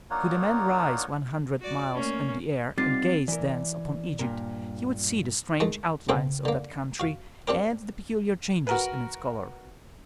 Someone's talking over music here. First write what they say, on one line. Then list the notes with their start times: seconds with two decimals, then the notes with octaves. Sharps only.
Could a man rise one hundred miles in the air and gaze thence upon Egypt, he would see the strange outlines of that country and the peculiar changes in its color.
0.10 A#3 D4 D#4 F4 C#5 F#5
1.60 F#4 D5
1.94 A3 A#3 C#4
2.78 G3 C4 D#4 F4 A6 C7
3.28 E3 A#4 D5
4.19 G2 A#2 A#4
5.60 D#3 G#3 A3
6.09 D2 C#3 C4 C5
6.45 D3 A#3
7.00 F#4 F5
7.48 C4 D4 G4 A#4
8.67 F#4 A#4 B4